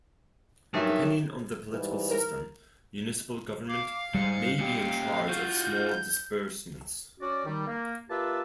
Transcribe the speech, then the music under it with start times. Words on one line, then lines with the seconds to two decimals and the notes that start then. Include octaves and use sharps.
Depending on the political system, municipal government may be in charge of small disbursements.
0.74 G2 F3 F#3 D#4 A#4 E5
1.71 G#2 E3 G3
2.11 A#4
3.69 F5 D6
4.14 G#2 G3 C#7
4.60 A#2 G4
5.29 F4 F#4 G6
7.20 C#4 F#4 D5
7.46 D#3 G3
7.67 A#3
8.10 A#3 F4 G4 B4 E5 A5